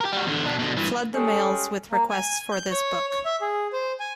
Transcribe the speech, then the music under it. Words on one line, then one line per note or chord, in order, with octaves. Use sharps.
Flood the mails with requests for this book.
G4 A#4
G3 F#4
E2 D3
B2 D4
B2 D3
G2 E3
G3 G#3 C#4 A4
A#3
G#5
G6
C#5
C#5
E5
G#4
C5
G#5